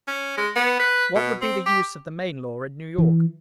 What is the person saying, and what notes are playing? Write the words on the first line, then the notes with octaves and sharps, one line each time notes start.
What would be the use of the Maine Law in New York?
C#4
G#3
B3
B4
B2
C4
G4
E3